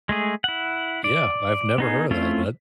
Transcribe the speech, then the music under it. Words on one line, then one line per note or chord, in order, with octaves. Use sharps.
Yeah, I've never heard of that, but,
G#3 A3 G#4
E4 F#5
D5
B3 D#4 G#4
A3 C4 C#4 E4 F4